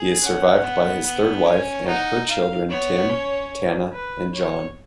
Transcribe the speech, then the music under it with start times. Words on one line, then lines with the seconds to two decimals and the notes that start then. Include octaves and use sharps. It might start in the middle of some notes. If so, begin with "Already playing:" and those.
He is survived by his third wife and her children Tim, Tanna, and John.
Already playing: G#4
0.23 C#4 F#5
0.64 B3
1.05 B3
1.46 C#4 G#5
1.87 D#4 F#5
2.29 F5
2.69 B3 C#5
3.10 C#4
3.92 B4
4.34 C#5